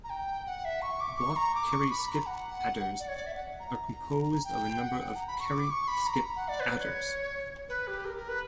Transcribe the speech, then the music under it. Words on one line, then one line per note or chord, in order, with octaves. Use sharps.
Block-carry-skip adders are composed of a number of carry-skip adders.
A#5
G5
F#5
E5
C#6
D6
C#6
A#5
D6
C#6
B5
A#5
F#5
D5
C#5
D5
E5
F#5
A#5
G5
F#5
A#5
B5
C#6
D6
C#6
B5
A#5
F#5
D5
B4
C#5
B4
G4
A#4
A#4
B4